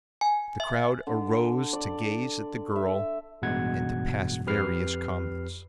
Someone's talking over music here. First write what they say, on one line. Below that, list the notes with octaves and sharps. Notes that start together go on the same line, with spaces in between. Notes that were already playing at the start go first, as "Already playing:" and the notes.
The crowd arose to gaze at the girl and to pass various comments.
G#5
E5
D3
D5
E5
A1 G2 B2 G#3 F#5 G#6
F2 G4 B4 F6 C7